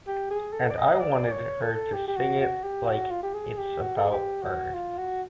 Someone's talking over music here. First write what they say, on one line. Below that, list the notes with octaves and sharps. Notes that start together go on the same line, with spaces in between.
And I wanted her to sing it like it's about birth.
G4
G#4
A4
D5
D#5
D5
C#5
A4
G4
G4
F#4
F#4
G4
F#4
F4
G4
G#4
G4
F#4
A4
G#4
G4
F#4
F4
F#4